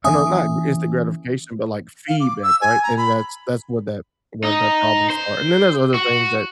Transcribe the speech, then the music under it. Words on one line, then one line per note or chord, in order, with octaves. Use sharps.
I know not gr instant gratification, but like feedback, right? And that's that's what that where that problem start, and then there's other things that
E3 A#3 C#4 E5 G#5 D#6
F5
D6
E6
G#5
A#5
B5
D#4
C5
F#4